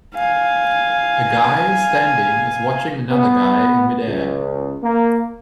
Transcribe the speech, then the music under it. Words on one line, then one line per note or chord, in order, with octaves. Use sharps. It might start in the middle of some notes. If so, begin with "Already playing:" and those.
A guy standing is watching another guy in midair.
F5 G#5
B3
C#2
A#3